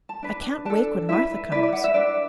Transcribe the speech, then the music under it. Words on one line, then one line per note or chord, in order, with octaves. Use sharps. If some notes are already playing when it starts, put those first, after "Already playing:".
"I can't wake when Martha comes."
A5
D4 B4
D4 A4 A5
E4 B4 E5
E4 B4 D5
D5
F#5
E5
D4 B4 D5